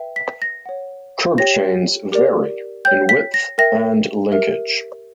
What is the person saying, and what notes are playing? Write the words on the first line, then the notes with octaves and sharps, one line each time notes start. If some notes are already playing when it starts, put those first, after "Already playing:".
Curb chains vary in width and linkage.
Already playing: B4 E5 G5
B6
A#6
C#5 F#5
G4 C#5 G5 A#6
G4 A#4 D5
C#5 G5 G6
B6
A#6
A#4 E5 G5 A#6
G4 A#4 E5